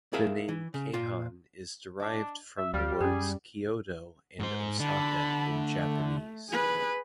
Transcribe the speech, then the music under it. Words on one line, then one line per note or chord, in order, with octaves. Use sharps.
The name Keihan is derived from the words Kyoto and Osaka in Japanese.
E4 G#4 A#4 E5 F5
E3
C#3
A#2 F4
D4 D#5
E5
D2 G3 F5
F#2 C#4 G4 G#4
G#2 C5
D3 A5 B5
A3
G#4 B4